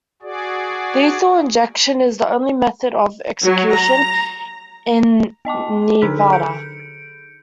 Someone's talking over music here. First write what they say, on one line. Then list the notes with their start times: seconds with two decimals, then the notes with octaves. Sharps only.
Lethal injection is the only method of execution in Nevada.
0.22 F#4 G#4 D5
3.42 F#3
3.74 A#5
5.45 B3 D#5 A5 D6
6.02 D3 D4 D#4 G#4 A4 B6
6.32 G6 C#7 D7